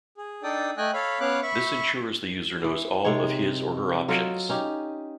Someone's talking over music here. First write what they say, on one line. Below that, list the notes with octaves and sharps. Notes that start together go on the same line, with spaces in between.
This ensures the user knows all of his or her options.
G#4
D4 D#4 A4 D5 G5 D#6
A3 D#5 G5 G#5 F#6
A4 C#5 F5 B5
B3 C#4 C#5 F5 D6 F#6
E5 B5 C#6
E3
C3 G#3 D#4 C#5
F#3 F4 A4 D#5
C#4 D#4 G4